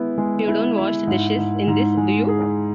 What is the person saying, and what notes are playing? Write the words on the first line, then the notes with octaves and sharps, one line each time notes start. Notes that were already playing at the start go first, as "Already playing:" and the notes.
You don't wash the dishes in this, do you?
Already playing: G#3 B3 E4
G#3
E4
E4
G#2
G#2
G#2
G#3
G#4